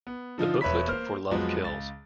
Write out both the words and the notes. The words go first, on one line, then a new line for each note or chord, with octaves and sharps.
The booklet for Love Kills!
B3
D3 F3 D#4 F4
E1 B4 C#5 E5 B5 B6
A#3 C5 F6
F2 F3 F#3 G#3 B3
C#2 A6